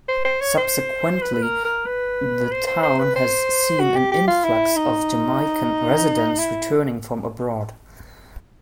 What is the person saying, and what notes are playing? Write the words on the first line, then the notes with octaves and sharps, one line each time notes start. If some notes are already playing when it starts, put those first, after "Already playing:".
Subsequently, the town has seen an influx of Jamaican residents returning from abroad.
C5
C5
C#5
C5
B4
B4
A#4
A#4
B4
C5
C5
C5
B4
C5
F#4
G4
G4
F4
E4
D#4
E4